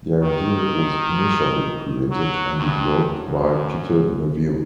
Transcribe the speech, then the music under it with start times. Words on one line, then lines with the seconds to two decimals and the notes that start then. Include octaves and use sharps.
The idea was initially created and developed by Peter Neville.
0.21 D#3
2.11 F#3
2.59 G2
3.06 F#2